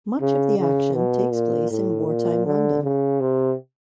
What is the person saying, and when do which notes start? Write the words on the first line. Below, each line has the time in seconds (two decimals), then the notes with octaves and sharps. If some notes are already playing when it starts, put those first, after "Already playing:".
Much of the action takes place in wartime London.
0.21 C#3
0.59 C#3
0.96 B2
1.33 A#2
1.71 A2
2.08 A#2
2.46 D3
2.84 C#3
3.20 C3